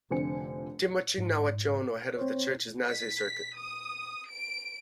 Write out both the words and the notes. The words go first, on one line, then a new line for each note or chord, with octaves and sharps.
Timoci Nawaciono, head of the church's Nasea circuit.
F1 D3 F3 C4 G#5 C#7
G#2
C4 C5 C#5
B6
D#6
D7